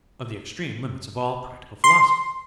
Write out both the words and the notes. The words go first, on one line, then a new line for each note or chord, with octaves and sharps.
Of the Extreme Limits of all Practical Philosophy.
C6